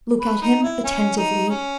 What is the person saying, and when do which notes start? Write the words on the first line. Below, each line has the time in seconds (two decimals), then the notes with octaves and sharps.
Look at him attentively.
0.20 B4
0.41 D#4
0.63 E4
0.84 C#4
1.17 D#4
1.49 C#4